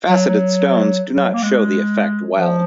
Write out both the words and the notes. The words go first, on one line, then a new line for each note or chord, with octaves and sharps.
Faceted stones do not show the effect well.
F#3
F#3
F#3
A#3
G#3
F3